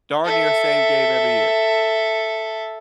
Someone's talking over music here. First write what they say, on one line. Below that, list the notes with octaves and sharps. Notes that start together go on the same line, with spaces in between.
darn near the same game every year.
A4 E5